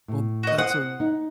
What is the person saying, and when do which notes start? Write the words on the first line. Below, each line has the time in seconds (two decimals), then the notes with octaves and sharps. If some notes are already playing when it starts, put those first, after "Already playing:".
Well, that's a r
0.08 A2
0.43 F#4 D#5
0.58 C5 F#5 D#6
1.00 D#4